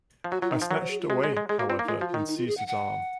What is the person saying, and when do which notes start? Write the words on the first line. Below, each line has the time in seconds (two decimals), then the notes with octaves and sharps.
I snatched it away, however, and seized his arm.
0.24 F3
0.32 F#3 F#4
0.42 F#3 F4
0.51 D#3 D#4
0.62 F3
0.71 F#3 A#4
0.81 C5
0.90 G#4
1.01 F4
1.10 G#3 F#4
1.23 G#3
1.30 G#4
1.37 G#3
1.49 G#3 G#4
1.59 A#3 F#4
1.69 C4 F4
1.79 A#3
1.84 D#4
1.88 G#3 F4
1.99 F#4
2.01 F3
2.08 F4
2.14 D#3 D#4
2.28 D#4
2.38 F4
2.47 G#4
2.57 F#5
2.67 F#5